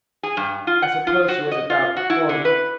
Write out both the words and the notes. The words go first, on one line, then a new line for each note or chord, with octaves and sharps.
I suppose she was about forty.
G#4
G2
F4
F#5
F4
F#4
D#5
F4
F#4
E4
D3
B4